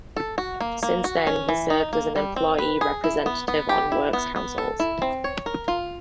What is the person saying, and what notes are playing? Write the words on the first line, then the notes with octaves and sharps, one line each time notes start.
Since then, he served as an employee representative on works councils.
A4
F#4
A#3
A#3
F#4
C#4
E3
D#4
A#3
G3
C4
B4
G#4
E4
B3
B3
G4
E4
B3
B3
A4
E4
C4
C#5
A#4
F4